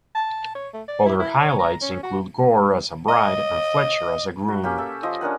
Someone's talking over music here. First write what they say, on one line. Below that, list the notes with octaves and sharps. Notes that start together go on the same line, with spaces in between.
Other highlights include Gore as a bride and Fletcher as a groom.
A5
C#5
A3
D5
E4
E4
C#5
A#5
C#4
F#4
D#5
F#4
A#3 C#4 G4
A4 E5
F3 D#5 D#6
C#4 D4 A#4 F#5